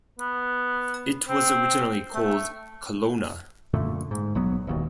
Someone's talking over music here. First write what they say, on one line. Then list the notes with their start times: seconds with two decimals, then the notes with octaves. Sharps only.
It was originally called Colona.
0.19 B3
1.29 C4
2.14 A3
3.73 F#2 A#2 D3 A3
4.11 G#2
4.35 B1 F#3 B3
4.67 E1 D#2 B2